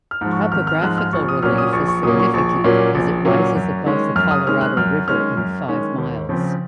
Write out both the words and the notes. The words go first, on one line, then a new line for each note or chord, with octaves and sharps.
Topographic relief is significant as it rises above the Colorado River in five miles.
F6
G#2 F3 G#3
C#6
G#1 F6
F6
G#2 F3 G#3 F#6
F6
A#1 C#6
D#6
A#2 F#3 A#3 C#4 F6
D#6
A#1 C#6
C#6
A#2 F#3 A#3 C#4 D#6
C#6
A#1 C#6
A#2 F#3 A#3 C#4
A#1
A#2 F#3 A#3 C#4
F#2
D#3 G#3 C#4
F#2 F6
D#6
D#3 G#3 C#4 F6
F#6
F#2 F6
D#3 G#3 C#4 F6
F#2
D#3 G#3 C#4
D#2
C#3 F3 C4